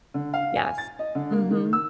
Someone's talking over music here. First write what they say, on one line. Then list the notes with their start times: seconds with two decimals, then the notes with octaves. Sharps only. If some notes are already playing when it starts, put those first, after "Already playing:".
Yes. Mhm.
0.14 D3
0.34 F5
0.56 G#5
0.78 A6
0.99 D#5
1.15 D3
1.32 A#3
1.51 D#3
1.73 E6